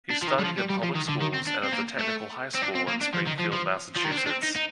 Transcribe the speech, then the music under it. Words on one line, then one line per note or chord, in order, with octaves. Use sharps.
He studied in public schools and at the Technical High School in Springfield, Massachusetts.
D4
F3
D#3
G3
F3
G3
G3
F3
D#3
D3
D#3
C4
D4
C4
A#3
A3
C4
D4
C4
A#3
D4
F3
D#3
F3
F3
F3
D#3
D4
C4
D4
C4
D#4
D#4